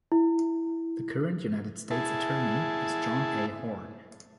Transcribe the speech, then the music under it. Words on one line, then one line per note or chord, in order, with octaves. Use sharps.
The current United States Attorney is John A. Horn.
E4
E4 G#4 A5